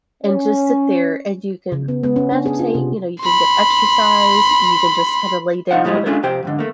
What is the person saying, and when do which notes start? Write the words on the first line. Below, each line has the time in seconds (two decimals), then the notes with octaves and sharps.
and just sit there, and you can meditate, you know, you can get exercise, you can just kinda lay down, and
0.24 C#4
1.72 C#3
1.88 B3
2.03 B3
2.16 C#4
2.32 D4
2.46 G#4
2.59 F4
2.75 C3
3.21 B5 C6
5.71 C2 D#4 F4 F5 F#5
5.84 F#2 A2 D3 G3 G#3 D#4
6.06 G#3 A3 C#4 D4 F4 G#4
6.23 F2 C3 G4 C5 G5
6.43 F2 G#2 D3
6.59 A3 A#3